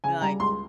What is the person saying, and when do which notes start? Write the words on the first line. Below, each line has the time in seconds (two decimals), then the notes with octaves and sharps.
and like
0.04 C#3 G#5
0.22 G3 A#5
0.40 C#2 C6